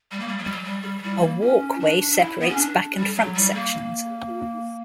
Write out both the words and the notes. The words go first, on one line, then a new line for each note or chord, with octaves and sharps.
A walkway separates back and front sections.
G3
A#3
G3
F#3
G3
F#3
G3
G3
F#3
G3
A#3
C#4
D4
D4
E4
B3
C#4
D4
G3
F#3
G3
A#3